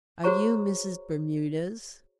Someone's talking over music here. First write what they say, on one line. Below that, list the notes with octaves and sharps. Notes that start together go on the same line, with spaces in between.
"Are you Mrs. Bermudez?"
F#4 G#4 C5 C#5 A#5 C#6